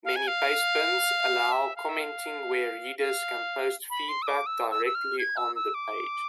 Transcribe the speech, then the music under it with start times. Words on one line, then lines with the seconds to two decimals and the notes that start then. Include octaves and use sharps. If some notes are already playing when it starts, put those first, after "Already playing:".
Many pastebins allow commenting where readers can post feedback directly on the page.
0.05 F5
0.16 G#5
0.27 F5
1.52 E5
1.76 F5
1.89 E5
2.00 F5
2.99 F5
3.90 B5
4.09 C6
4.22 E6
4.27 D6
4.46 E6
4.71 E6
4.86 E6
4.95 F6
5.19 G#6
5.37 E6
5.56 E6
5.74 D6